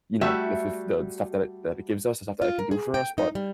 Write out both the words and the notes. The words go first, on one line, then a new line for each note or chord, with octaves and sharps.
you know if if the stuff that that it gives us, the stuff that it can do for us, but
G3 A3 F#4 E5
F4
A#4
G#4
G5
D#4
G3